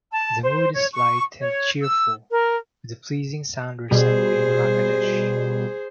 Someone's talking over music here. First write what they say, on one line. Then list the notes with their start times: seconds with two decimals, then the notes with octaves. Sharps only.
The mood is light and cheerful, with a pleasing sound resembling Raga Desh.
0.12 A5
0.44 C5
0.74 C#5
0.93 C#6
1.39 C#5
1.81 E6
2.31 A#4
3.91 B2 G3 G#4 C5